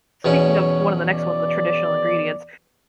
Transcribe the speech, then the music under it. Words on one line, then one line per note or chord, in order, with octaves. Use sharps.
speaking of one of the next ones, the traditional ingredients.
E2 B2 C#4 C#5
D5